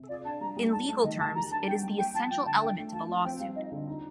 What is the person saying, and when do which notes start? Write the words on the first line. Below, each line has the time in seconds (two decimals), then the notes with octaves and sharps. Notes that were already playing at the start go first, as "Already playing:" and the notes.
In legal terms, it is the essential element of a lawsuit.
Already playing: C3
0.09 F4 D5
0.25 D4 A5
0.41 G3 A#5
0.57 G3
0.72 D#4 A5
0.88 A3 A5
1.04 D#3 D#5
1.20 D#3 A5
1.35 G4 A#5
1.51 D4 A5
1.67 G3 G5
1.83 G3
1.98 A#3 G5
2.14 F3 A5
2.30 F4 G5
2.46 D3 A5
2.61 D4 G5
2.77 A3
2.93 F4 A5
3.09 F3
3.24 C4 G5
3.40 G3 F5
3.56 D#4 D#5
3.72 D3
3.87 D#4